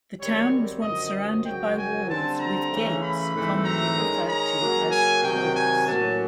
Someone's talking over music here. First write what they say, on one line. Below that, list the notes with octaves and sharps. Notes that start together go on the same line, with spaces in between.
The town was once surrounded by walls with gates commonly referred to as 'ports'.
F#2 D#3 G3 C4 C#5
F#2 D3 F3 D#5
D#5
F#2 C#3 F#3 G5
G#5
D3 G3 C4 A5
A#5
C#3 E3 A3 C#4
B5
G#2 E3 A3 C4
A#5
D#3 G#3 C#4
A#5
C#3 F#3 A#3 C#4
G#5
C3 D#3 F#3 G5
G#5
A2 F#3 A#3 C#4 A5